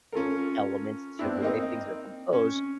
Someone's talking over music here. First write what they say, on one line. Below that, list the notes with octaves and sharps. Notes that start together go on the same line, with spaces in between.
element to the way things are composed.
C#4 F4 A4 A#4
B3 C4 D4 E4
A#3 C4 D#4
C#4